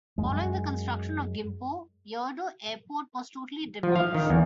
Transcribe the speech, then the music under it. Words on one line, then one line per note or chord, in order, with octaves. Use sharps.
Following the construction of Gimpo, Yeouido Airport was totally demolished.
F#2 G#3
F3
F5
D#3
E2